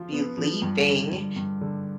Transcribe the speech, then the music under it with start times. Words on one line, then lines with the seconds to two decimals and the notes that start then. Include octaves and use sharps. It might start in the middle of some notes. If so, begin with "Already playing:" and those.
be leaving,
Already playing: F3 F4
0.12 B3
0.37 F3
0.62 G2
0.87 D3
1.12 G2
1.36 G2
1.61 D3